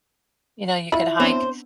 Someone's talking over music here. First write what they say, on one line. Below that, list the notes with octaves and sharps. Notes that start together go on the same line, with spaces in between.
you know, you could hike.
E4 F4 B5
B3 C4 D4 C5 C#5